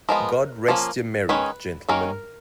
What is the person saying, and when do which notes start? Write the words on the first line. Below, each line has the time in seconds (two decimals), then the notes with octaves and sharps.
God rest ye merry, gentlemen.
0.09 F3 G#3 B3 A#4
0.68 F3 A#3 C#4
1.29 D#3 G#3 C#4 B4
1.89 D#3 A#3 C#4 A#4